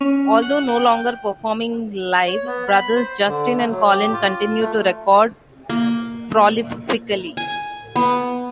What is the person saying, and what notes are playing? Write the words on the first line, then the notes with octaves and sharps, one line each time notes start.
Although no longer performing live, brothers Justin and Colin continued to record prolifically.
C#4
F#5
G5
C#5
B3
B5
C5
D3
A3
F#3
G4
F4
A3
A#3
G#5
B3